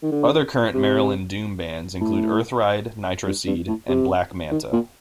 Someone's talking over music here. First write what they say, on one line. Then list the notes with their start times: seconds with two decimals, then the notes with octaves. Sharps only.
Other current Maryland doom bands include Earthride, Nitroseed, and Black Manta.
0.03 D#3
0.12 D3
0.74 C3
2.01 A2
3.26 G2
3.47 G2
3.68 A2
3.89 C3
4.51 D#3
4.73 A#2